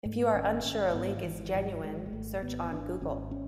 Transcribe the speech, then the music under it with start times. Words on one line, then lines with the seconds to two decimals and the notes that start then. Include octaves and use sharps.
If you are unsure a link is genuine, search on Google.
0.06 G#2 A3
0.35 G#1 C#4
0.64 G#1 C#4
0.90 A3
0.94 G#2 B3
1.17 E3
1.24 G#1
1.39 E3
1.54 G#2
1.61 F#3
1.83 G#1 G#3
2.06 G#3
2.12 G#1 A3
2.42 G#1 B3
2.72 G#1 D4
3.01 G#1 C#4
3.31 C#4